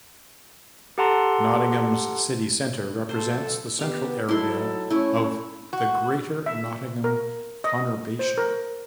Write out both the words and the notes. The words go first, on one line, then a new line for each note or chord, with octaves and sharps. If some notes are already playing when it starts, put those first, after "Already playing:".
Nottingham's city centre represents the central area of the Greater Nottingham conurbation.
G4 A4 F#5 A5 A#5 C6
B1 A4 C5
B3 G4 F5 A5
F#3 D#4 E4 A4 C6
A3 C#4 E4 C#5
F#4
E5
A#4
D#5
C5
A#4